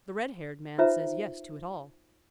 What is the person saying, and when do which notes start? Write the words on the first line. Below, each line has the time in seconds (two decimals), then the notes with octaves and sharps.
The red-haired man says yes to it all.
0.78 D#4 F4 B4 C5 E5 A#5